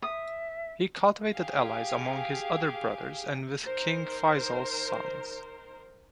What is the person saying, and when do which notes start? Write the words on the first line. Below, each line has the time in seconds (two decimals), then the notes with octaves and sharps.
He cultivated allies among his other brothers and with King Faisal's sons.
0.02 E5 D#6
1.31 G4 G#4 F5
3.62 D#3 A#4 C5